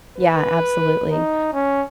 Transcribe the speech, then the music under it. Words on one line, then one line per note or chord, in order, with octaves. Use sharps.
Yeah, absolutely.
B4
D#4
C#4